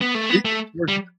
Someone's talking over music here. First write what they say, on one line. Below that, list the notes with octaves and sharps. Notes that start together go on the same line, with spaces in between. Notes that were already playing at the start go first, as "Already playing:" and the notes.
Beat the coordinates.
B3
A3
B3
A3
G3